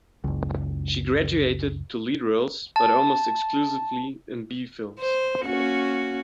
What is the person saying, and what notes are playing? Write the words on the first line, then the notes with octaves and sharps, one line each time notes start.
She graduated to lead roles, but almost exclusively in "B" films.
F#1 C#2
A5
C5
A#3 C#4 F#4